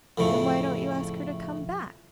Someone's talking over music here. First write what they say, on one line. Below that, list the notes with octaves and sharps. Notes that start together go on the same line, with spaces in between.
"Then why don't you ask her to come back."
F2 A2 C#3 A3